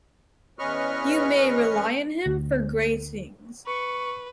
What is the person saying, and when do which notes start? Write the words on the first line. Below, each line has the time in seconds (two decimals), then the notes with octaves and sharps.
You may rely on him for great things.
0.59 E2 C#4 B4 D#5 C#6 F6
2.26 D2
3.66 B4 C#6